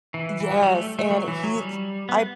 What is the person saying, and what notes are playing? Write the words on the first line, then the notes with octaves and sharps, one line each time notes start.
Y yes, and he h I
E3
E3
F#3
G3
A3
A3
F#3
E3
F#3
G3
B3